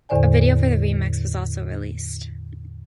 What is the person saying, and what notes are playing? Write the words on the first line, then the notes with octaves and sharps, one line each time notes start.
A video for the remix was also released.
E2 A2 D3 C5 D5 G#5